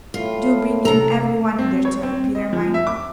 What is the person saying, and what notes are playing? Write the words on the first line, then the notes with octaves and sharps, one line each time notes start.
Do bring in every one in their turn, Peter mine.
A2 F4
C3 A4 A#5
C4
C#5
C4
D#5
F3
E5
D6